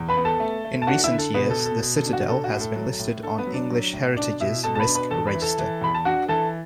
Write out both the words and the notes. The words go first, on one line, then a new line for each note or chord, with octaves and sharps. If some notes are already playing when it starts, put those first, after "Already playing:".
In recent years the Citadel has been listed on English Heritage's Risk Register.
Already playing: E2
B4 B5
B3
A4 A5
A3
A3
A5
D4 F#4 F#5
E4 E5
D3
A4
B2 B3 B4
A4
B2
A4
B2
A4
D4
F#4
D4 A4
F#4
A2
A4
F#3
A2
D4 A4
B3 B4
F#3
D4 D5
F#3
A2
B2 D4 D5
B2 E4 E5
B2 A4 A5
A5
B4 B5
D4
B4 B5
E2 A4 A5
B4 B5
E3
A4 A5
E3
E2 B5
A5
D4 F#4 F#5
E3 A4 A5